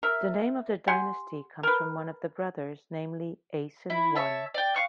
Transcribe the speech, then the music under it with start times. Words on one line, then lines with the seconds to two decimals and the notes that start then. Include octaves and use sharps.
The name of the dynasty comes from one of the brothers, namely Asen I.
0.03 A#4 E5
0.88 G4 F#5 G#5 C6
1.63 A#4 B4
3.90 E4
4.15 C#5 E5 A5
4.54 D5 G5
4.74 F5 C#6 F#6